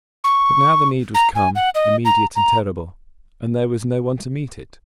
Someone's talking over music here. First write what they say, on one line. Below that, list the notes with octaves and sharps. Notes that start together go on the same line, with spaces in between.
But now the need was come, immediate and terrible, and there was no one to meet it.
C#6
A#5
G#5
F#5
D#5
A#5
A#5